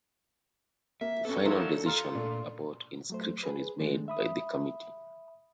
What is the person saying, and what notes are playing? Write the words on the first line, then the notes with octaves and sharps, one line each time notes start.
The final decision about inscription is made by the committee.
A#3 E5
B3 C#4 A4
F3 F#3 D4 E4 A#4
F4 A#5 F6
A#2 A3 D4
F#3 A3 C5
G#4 B4
D#3 G#3 A3 D4
E5 B5 D#6